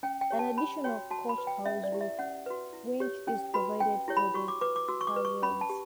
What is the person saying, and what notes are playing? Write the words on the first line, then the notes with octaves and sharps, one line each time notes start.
An additional coach house roof winch is provided for the halyards.
C#4 G5
G5
G4 C#5
A5
C#4 B5
F#4 C#5 G5
F#4 A5
B5
B4
G5
C#4 E5
D5
E4 G4
E5
C#4 F#5
F#4 B4
E4
G4 C#5
C#4 G5
F#4 B4 B5
C#4 G5
E4 G4 C#5
B5
F#4 C#6
D6
B4 D6
D6
F#4 E6
C#6
D6
B4
C#6
C#4 B5
A5
G4